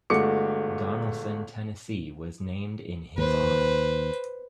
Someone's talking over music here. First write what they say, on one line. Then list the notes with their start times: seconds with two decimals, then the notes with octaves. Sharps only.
Donelson, Tennessee was named in his honor.
0.10 G1 G#3 A3 F#4 D6 C#7
3.18 D#2 B4 C5